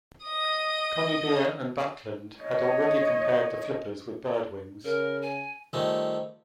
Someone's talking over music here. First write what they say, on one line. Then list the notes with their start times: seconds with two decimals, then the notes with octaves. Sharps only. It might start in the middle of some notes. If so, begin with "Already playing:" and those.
Conybeare and Buckland had already compared the flippers with bird wings.
0.25 D#5 D#6
2.42 C#5 D#5
4.84 C#3 A#4
5.22 G#5
5.73 D#3 F3 G3 A3 C4 C#4